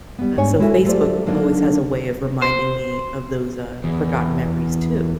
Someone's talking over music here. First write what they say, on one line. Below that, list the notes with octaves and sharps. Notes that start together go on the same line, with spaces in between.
Uh, so Facebook always has a way of reminding me of those, uh, forgotten memories, too.
G3 B3
D2 G#2 D4 C#5 G#5
G#3 E4 F#4 A4 E5 G#5
F#3 A3 F4 G4 C5 D5
D3 F#3 A#3 D4 D#4
C5
E2